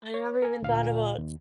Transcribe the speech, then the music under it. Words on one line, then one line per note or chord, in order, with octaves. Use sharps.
I never even thought about
C#5
A#4 G#5
D2 A#2 F5
D#2